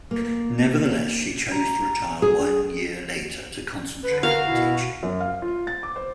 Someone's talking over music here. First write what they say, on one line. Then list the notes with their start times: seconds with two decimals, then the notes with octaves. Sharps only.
Nevertheless, she chose to retire one year later to concentrate on teaching.
0.11 A#3
1.52 A#5
2.22 G#4
4.03 D3 B4
4.23 F#4 A#4 F5
4.46 B2 E4
5.03 F#2
5.20 F5
5.42 F4
5.67 A6
5.83 D6
5.96 C5